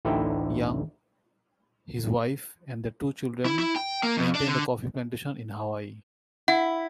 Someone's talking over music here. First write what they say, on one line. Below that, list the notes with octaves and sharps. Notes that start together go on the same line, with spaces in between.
Young, his wife and their two children maintained a coffee plantation in Hawaii.
A1 D2 D3 D#4 E4 G5
E4
E4
G5
A#3
F2
D4
D3
E4 F#5